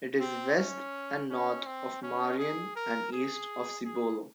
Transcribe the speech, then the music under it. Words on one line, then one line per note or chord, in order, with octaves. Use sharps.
It is west and north of Marion and east of Cibolo.
C4
C#4
C#4
C4
C#4
G#4
A#4
G#4
G#4